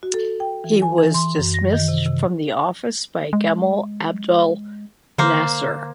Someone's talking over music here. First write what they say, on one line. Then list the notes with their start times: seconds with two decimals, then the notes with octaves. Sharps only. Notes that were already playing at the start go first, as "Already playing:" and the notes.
He was dismissed from the office by Gamal Abdel Nasser.
0.03 F#4
0.14 A4
0.40 G5
0.64 E3
0.82 G#5
0.98 E3
1.14 C6
1.38 F#2
1.54 A#6
1.73 D#3
1.88 C3
2.06 C3
3.33 G#3
5.18 D3 A#3 C5